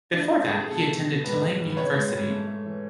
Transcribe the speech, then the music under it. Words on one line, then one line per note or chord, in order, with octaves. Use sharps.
Before that, he attended Tulane University.
D4
A3 E4
A3
G#4
A3
G#4
B2 A4
A3
B2
G#2 B4
G#3
G#2
B4
G#3 C#5
G#3
G#2
A3
A3
E3